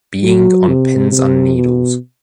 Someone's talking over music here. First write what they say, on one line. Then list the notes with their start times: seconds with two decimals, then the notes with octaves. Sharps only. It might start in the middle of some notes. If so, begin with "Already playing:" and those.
Being on pins and needles.
0.23 F#3
0.68 C3
1.12 C3
1.55 B2